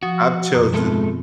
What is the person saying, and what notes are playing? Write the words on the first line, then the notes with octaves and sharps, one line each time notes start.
I've chosen
F3 F#4 D#6
F#2 B2
G#3 A3 B3 C4 F4 A4